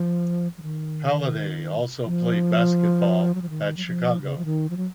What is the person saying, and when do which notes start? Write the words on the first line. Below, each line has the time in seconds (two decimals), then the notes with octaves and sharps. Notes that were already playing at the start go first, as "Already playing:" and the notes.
Halladay also played basketball at Chicago.
Already playing: F3
0.58 F3
0.62 D#3
2.06 F3
3.35 F#3
3.42 F3
3.50 D#3
3.77 F#3
3.86 F3
4.22 C#3
4.38 F3
4.45 D#3
4.70 F3
4.77 F#3